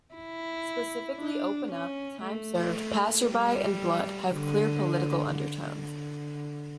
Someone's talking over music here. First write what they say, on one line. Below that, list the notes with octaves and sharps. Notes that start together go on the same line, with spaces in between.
Specifically, "Open Up", "Time Served", "Passerby", and "Blood" have clear political undertones.
E4
D4
C#4
A3
G3
D3
D3